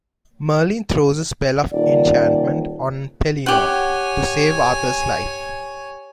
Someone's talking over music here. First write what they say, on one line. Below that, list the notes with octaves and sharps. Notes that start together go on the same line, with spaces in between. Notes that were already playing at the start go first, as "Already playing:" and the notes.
Merlin throws a spell of enchantment on Pellinore to save Arthur's life.
D#1 D5
G4 C#5 F#5 G#5